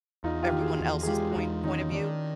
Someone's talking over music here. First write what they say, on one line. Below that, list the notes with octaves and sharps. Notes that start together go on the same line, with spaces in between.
everyone else's point point of view,
E2 D#4 F4
F4 G4
D#3
F#4 G#4
E2
G#4
G#3 F4 G4
F#4
E2 D#4 F4
D#3 C#4 D#4
D#3 D4